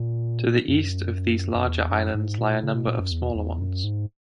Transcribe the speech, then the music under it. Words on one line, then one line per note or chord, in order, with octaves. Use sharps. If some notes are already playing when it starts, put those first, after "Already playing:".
To the east of these larger islands lie a number of smaller ones.
Already playing: A#2
F#2
F#2
E2
F#2
G#2
A#2
C#3
B2
A#2
F#2
E2
E2
F#2
G#2